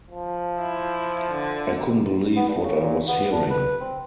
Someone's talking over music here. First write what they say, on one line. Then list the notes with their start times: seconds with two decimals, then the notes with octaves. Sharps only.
I couldn’t believe what I was hearing.
0.10 F3
0.59 E4
1.31 D3
2.36 B3
2.49 G2
2.64 C#3
2.82 A#2
3.08 B3
3.32 D4
3.50 B4
3.81 C4